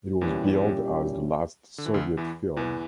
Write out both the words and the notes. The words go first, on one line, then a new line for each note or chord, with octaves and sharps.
It was billed as The Last Soviet Film.
E2 A#2 E3 G3 C#4 E4 G4
D3
E3
D2 D3
E2 E3
E2 E3